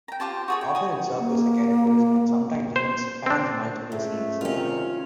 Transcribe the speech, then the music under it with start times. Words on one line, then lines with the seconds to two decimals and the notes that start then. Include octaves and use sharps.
Often it circles the characters, and sometimes even spans multiple scenes.
0.08 G5 A#5
0.20 F4 G4 C5 A5
0.48 F#4 G#4 C#5
0.61 G5
0.75 F#4 G#5 D#6
1.20 A#3
2.76 C5
3.26 C4 D4
3.92 C#2 G#2 A3
4.41 F#1 C3 D#3 C#4 F4